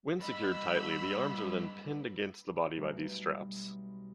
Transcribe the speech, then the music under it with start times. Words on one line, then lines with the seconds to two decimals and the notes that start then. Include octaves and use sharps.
When secured tightly, the arms are then pinned against the body by these straps.
0.20 G2 D#5 B5 E6 B6
2.76 B1 B2 G3 A3